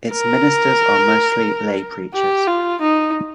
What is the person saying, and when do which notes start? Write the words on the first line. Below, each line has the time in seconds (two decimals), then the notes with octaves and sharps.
Its ministers are mostly lay preachers.
0.12 A#4
2.14 G4
2.47 F4
2.81 D#4